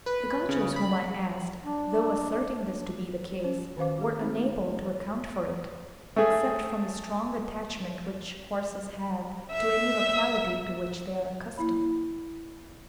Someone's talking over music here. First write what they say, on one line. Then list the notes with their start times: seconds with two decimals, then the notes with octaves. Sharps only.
The Gauchos whom I asked, though asserting this to be the case, were unable to account for it, except from the strong attachment which horses have to any locality to which they are accustomed.
0.06 B4
0.49 C#3
0.76 B5
1.62 D4
3.44 C#4 F#4 C5
3.77 D#3 C#4 C5 F5 D6
3.98 F#4 G#4
4.19 C4 D#4
6.16 A3 G#4
9.51 E5 E6
11.57 A#3 E4 B5